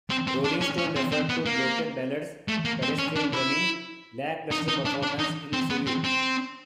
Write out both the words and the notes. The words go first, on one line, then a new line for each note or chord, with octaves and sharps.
"Rolling Stone" referred to "bloated ballads," "pedestrian drumming" and "lackluster performances" in its review.
C4
C4
D4
C#4
C#4
C4
C4
B3
A#3
A3
A#3
C4
C#4
D4
E4
D#4
D#4
D4
D4
D#4
C4
B3
C4
C4